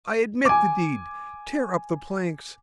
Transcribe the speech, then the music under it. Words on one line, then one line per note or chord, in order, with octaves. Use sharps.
I admit the deed!--tear up the planks!
G#5 D6